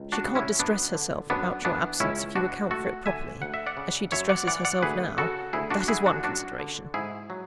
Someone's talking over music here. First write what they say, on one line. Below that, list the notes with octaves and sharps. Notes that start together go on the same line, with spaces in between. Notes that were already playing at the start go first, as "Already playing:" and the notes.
She can't distress herself about your absence, if you account for it properly, as she distresses herself now--that is one consideration.
Already playing: C#2
D4 F#4
C#3
C#4 E4
F#2 B3 D4
D3
F#2 B3 D4
E3 B3 D4
C#2 C#4 E4
B2 D4 F#4
A3 F#4 A4
D3 E5 G#5
D2 F#5
E5
D5 F#5
C#3
F#2 C#5 E5
D5 F#5
E3 D5 F#5
D5 F#5
D2 G#4 B4
C#3 F#4 A4
D2 E4 G#4
D4 F#4
D3 E4 G#4
D4 F#4
F#2 D4 F#4
D3
G#2 E4 G#4
F#3